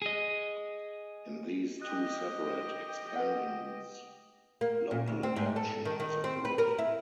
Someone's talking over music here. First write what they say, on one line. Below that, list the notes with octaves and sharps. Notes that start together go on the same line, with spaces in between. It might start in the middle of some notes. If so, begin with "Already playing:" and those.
In these two separate expansions local adaptation has occurred.
G#4 D#5
G4 D#5 F#6
B4 F#5
A#3
A#2
D2
C4
G#2
A4
D#3
D#3
C4
B4
A#4
E4